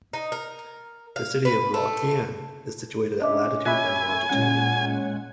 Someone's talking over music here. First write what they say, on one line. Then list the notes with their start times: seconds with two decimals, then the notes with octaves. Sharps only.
The city of Luodian is situated at latitude and longitude.
0.13 D#4
0.32 A#4
1.16 F5
1.45 B4
1.74 A3
3.22 C#4 D4 D#5 E5 D6
3.65 C#5 E5 G#5 B5 F#6
4.29 A#2 G#3 C#4 F#5